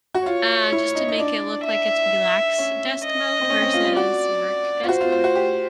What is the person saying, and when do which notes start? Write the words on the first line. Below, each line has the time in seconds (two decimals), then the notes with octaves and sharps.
uh, just to make it look like it's relax desk mode versus work desk mode.
0.14 F#4
0.26 F4 C#5
0.72 E4
0.95 D#4
1.08 D#4
1.19 D4 D5
1.65 E5
2.58 C#4
3.04 D#5
3.41 C4
3.50 C#4
3.62 C4
3.74 F4
3.85 F4
3.96 F#4 D5
4.83 F4
4.89 F#4 C5
5.01 F4
5.12 F4
5.24 F#4
5.35 G4